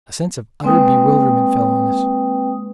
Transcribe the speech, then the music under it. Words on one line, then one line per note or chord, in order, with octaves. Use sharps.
A sense of utter bewilderment fell on us.
G#3 A#3 C4 B4 G5 D#6